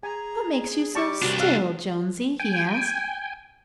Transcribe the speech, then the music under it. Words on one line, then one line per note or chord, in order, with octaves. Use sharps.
"What makes you so still, Jonesy?" he asked.
G#4 G#5 A#5
G3 A5 C#6 D6
C2 D4 F#4
F5 E6 F#6
G5 G#5